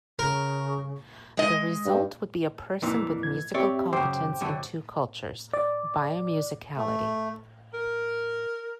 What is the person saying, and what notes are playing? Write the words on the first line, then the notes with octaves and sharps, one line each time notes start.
The result would be a person with musical competence in two cultures: "bi-musicality".
C#3 A#4
G#3 D#5
G2
F2 A#2 E3
G#6
C4 G4 C#5 D5 E5
F#2 C#3 C5 G5 D6
F#2 D3
D5
A3
A#4